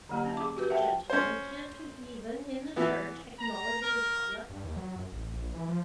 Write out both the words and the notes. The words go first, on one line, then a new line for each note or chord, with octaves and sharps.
What, gentlemen, can't we even in the Church acknowledge a republic?
D3 F#3 A#3 G4 A#5
C#4 A5
G#4 D6
F#4 G4 B4
A#4 E5 F#5 G5 A5
G5
C#4 C5
E3 B3
A#5
A#4
G2
D#2
F#3
F#2
A1
A#1
E3
F3